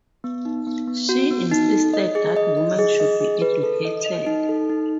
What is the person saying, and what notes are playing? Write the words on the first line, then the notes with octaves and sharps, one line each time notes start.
She insisted that women should be educated.
B3
D#4
B3
B3
F#4
B3
D#4
A4
D#5
G#4
D#5
D#5
G#4
D#5
G#4
B4
A4
D#5
D#5
D#4
A4
D#4